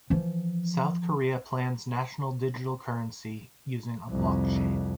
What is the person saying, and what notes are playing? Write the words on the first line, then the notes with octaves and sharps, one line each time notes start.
South Korea plans national digital currency using a Blockchain.
E3 F3
C2 F2